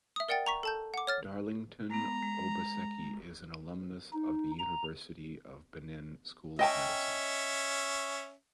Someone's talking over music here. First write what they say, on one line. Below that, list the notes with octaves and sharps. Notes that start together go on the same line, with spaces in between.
Darlington Obaseki is an alumnus of the University of Benin School of Medicine.
E5 D#6
A#4 D5 F#5 G5 A6
A#5 C#6 B6
A4 A5 G6
F#5 D6
C#5 F6 A6
G#3 B3 A#5
G#3
D#4
A#5
C#4 D#5 E5 G5 A5